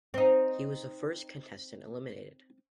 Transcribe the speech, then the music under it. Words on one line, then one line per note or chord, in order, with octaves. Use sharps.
He was the first contestant eliminated.
C4 D#4